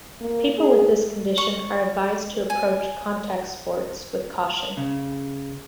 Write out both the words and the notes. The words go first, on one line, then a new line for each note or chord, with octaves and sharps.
People with this condition are advised to approach contact sports with caution.
A#3
G#4
C#6
G#5
C#3